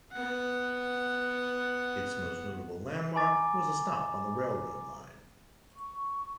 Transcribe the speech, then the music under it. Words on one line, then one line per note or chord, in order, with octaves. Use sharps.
Its most notable landmark was a stop on the railroad line.
B3 F#5
G#5 A#5 D6 A6
C#6